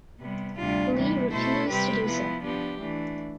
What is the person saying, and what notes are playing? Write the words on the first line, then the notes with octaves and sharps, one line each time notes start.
Li refused to do so.
C3 G3 B3
D2 C3 G3 D4 F4
C3 E3 G3 B3
B2 A3 E4 A4 C5
C3 G3 C4 G4 B4
F3 B3 E4
F3 B3 D4 G4
E3 A3 D4